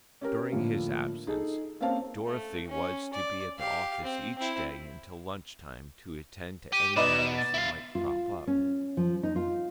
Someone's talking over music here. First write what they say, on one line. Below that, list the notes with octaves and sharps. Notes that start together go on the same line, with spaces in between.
During his absence, Dorothy was to be at the office each day until lunch time to attend to any matters that might crop up.
C#4 G4 A#4
A2 D3 F3 A#3
D#4 G#4 A4
A#3 C4 C#4 C5 F5 A5
A3
C#4
D5
G4 F5
C4
C4 E4
G4 D#7
B2 D#4 B4 D5 E7
A6
E4 F5
F4
C#4
F3
D#4
F4